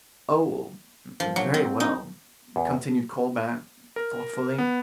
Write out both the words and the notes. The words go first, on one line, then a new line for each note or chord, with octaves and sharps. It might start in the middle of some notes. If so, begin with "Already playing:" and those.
"Oh! very well," continued Colbert, thoughtfully.
F3
F#3
C4
D#4
E2
A#4
B3